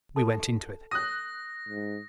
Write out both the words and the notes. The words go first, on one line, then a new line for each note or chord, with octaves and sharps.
We went into it.
A4 A5
D#6 F#6 A#6
G#2